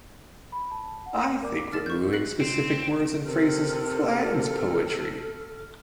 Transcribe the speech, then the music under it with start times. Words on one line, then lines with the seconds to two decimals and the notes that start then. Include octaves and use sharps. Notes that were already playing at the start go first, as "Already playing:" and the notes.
I think removing specific words and phrases flattens poetry.
0.52 B5
0.71 A5
1.06 F#5
1.42 A#4 D5 D6
1.58 D6
1.73 D#4 A#4 F6 A6 E7
1.86 C#6 G6
2.13 C#4 F4 F#6 C7 F#7
2.40 C4
3.25 C3 A4 A#4 F6